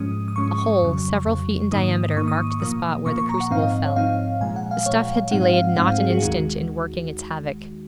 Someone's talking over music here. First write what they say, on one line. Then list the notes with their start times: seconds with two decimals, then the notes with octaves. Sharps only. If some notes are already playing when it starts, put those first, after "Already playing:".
A hole several feet in diameter marked the spot where the crucible fell. The stuff had delayed not an instant in working its havoc.
Already playing: G#2 F3 G#3 C#4 D#6
0.28 D#6
0.36 G#2 F3 G#3 C#4 C#6
0.58 C#6
0.81 F2 C#3 F#3
1.26 F2 C#3 F#3
1.72 G#2 D#3 A#3 D#4 D#6
2.11 D#6
2.16 G#2 D#3 A#3 D#4 C#6
2.28 D#6
2.50 C#6
2.61 A#2 F3 A#3 D#6
3.06 A#2 F3 A#3 C#6
3.17 C#6
3.29 A#5
3.40 F#5
3.51 G#2 F3 C4 D#4 F5
3.62 D#5
3.85 C#5
3.96 G#2 F3 C4 D#4 F5
4.41 A#2 F3 G#3 G#5
4.56 F#5
4.71 F5
4.86 A#2 F3 G#3 C#5
5.31 G#2 F3 G#3 C4 D#4 F#5
5.43 F5
5.54 F5
5.76 G#2 F3 G#3 C4 D#4 F#5
5.88 F5
5.98 G#4
6.10 F#4
6.18 G#4
6.21 D#2 D#3 G#3 D#4 F#4